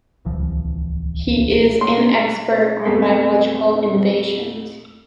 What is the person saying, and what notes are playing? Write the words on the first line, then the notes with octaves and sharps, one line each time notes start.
He is an expert on biological invasions.
D1 C2 E3 F3
C6
F2 A3 B3 A5 B6 C7